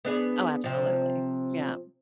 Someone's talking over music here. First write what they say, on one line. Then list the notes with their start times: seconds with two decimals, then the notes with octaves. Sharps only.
Oh absolutely, yeah.
0.05 B3 D4 G#4
0.64 C3 F3